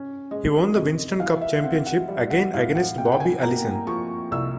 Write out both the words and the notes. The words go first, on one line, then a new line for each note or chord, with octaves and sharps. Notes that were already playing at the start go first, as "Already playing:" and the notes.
He won the Winston Cup championship again against Bobby Allison.
Already playing: C#4
G#3 D#5
C3 D#5
E3 F5
E5
C4 F#5
F#5
G3
F#5
A2 F5
F#5
C3 G5
F#5
G5
G#5
A#3 A#5
F3 C#6
C2 E6